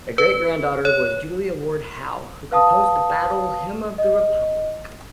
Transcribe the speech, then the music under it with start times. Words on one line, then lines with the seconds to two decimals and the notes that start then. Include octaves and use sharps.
A great-granddaughter was Julia Ward Howe who composed the "Battle Hymn of the Republic".
0.18 B4
0.85 C#5
2.52 B4 F5 A5 D#6
3.98 D#5